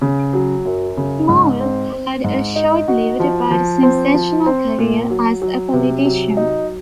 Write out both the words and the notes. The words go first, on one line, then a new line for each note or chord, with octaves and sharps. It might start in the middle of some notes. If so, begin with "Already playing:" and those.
Moule had a short-lived but sensational career as a politician.
C#3
F#3
F#2
C#3
G#2
C4
C4
G#2
D#4
F#4
F3
F3
C4
F3
C4
A#2
F#3
F#3
C3
F#3
D#4